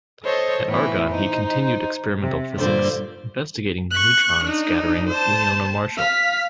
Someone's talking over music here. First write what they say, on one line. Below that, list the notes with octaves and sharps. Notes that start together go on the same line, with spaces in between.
At Argonne he continued experimental physics, investigating neutron scattering with Leona Marshall.
A4 C5 C#5 D#5
A2 E3 B3 E4
D#4 C5
C3
G2 A#2 D3 C5 D5
C#6 F#6
D4 D#4
C5 A5
F5 B6